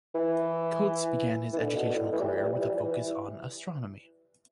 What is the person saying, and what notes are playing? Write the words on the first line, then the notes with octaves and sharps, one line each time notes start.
Cotes began his educational career with a focus on astronomy.
E3
E3
D3
B2
B2
A2
E3
G3
E3
G3
E3
G3
E3
G3
E3